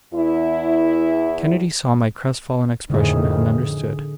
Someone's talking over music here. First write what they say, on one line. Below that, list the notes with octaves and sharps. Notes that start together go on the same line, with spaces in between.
Kennedy saw my crestfallen expression and understood.
E2 E4
F2 A2 D3 D#3 G#4